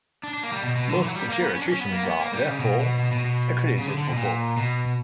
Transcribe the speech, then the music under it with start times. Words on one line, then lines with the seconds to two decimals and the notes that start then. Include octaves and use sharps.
Most geriatricians are, therefore, accredited for both.
0.23 D4
0.34 D4
0.43 A#3
0.52 G3
0.63 B2
0.76 B2
0.89 D3
1.02 E3
1.09 F#3
1.15 G3
1.29 A#3
1.42 B3
1.55 C#4
1.62 D4
1.68 C#4
1.81 B3
1.92 A#3
2.03 B3
2.20 A#3
2.33 G3
2.46 C#3
2.60 B2
2.79 B2
2.99 B2
3.12 B2
3.25 B2
3.78 C#3
3.87 D3
3.97 D3
4.07 B2
4.17 A#2
4.57 B2